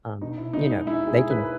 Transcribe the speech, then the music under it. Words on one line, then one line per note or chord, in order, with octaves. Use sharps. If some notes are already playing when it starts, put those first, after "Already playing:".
Um, you know, they can
B2 D#4
B2 E4
B2 D#4
G#3 D#4
G#3 E4
B2
G#4
B2
B4
G#3